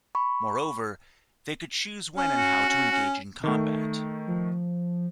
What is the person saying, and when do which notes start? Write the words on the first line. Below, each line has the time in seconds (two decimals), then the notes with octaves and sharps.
Moreover, they could choose when and how to engage in combat.
0.15 B5 C#6
2.17 C#4
2.37 F#4
2.69 C#4
2.92 C#4
3.44 D#3 A3
4.28 F3